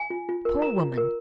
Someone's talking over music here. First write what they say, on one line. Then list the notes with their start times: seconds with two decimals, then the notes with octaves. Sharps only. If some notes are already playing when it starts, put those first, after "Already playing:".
"Poor woman!"
Already playing: G#5
0.10 F4
0.29 F4
0.45 A#4
0.62 A#4 A#5
0.79 F4
0.97 A#4